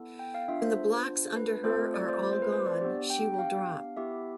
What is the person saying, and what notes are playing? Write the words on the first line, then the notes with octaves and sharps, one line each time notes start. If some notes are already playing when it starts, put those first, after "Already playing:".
When the blocks under her are all gone, she will drop.
Already playing: B3 E4 A4
G5
F5
B3 D4 F4 E5
C5
B4
A3 C4 F4 A4 C5
D5
C5
C5
C5
B4
C5
D5
B3 D4 G4
G5
G5
F5
B3 E4 G4 E5